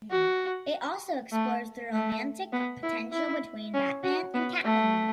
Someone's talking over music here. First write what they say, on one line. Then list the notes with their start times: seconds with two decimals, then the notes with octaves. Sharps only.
It also explores the romantic potential between Batman and Catwoman.
0.11 F#4
1.32 A3
1.93 A3
2.53 B3
2.83 E4
3.12 E4
3.74 C#4
4.03 F#4
4.33 B3
4.65 A3